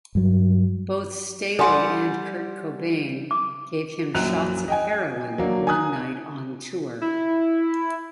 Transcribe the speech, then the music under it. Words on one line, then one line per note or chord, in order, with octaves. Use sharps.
Both Staley and Kurt Cobain gave him shots of heroin one night on tour.
G2 F#3
G3 A4 F#5 G#5 C6
D6
A#1 F#2 F#6 F7
D#5 G5 G#5
F#3 A#3 D4
G#5 A#5 D#6 F#6
E4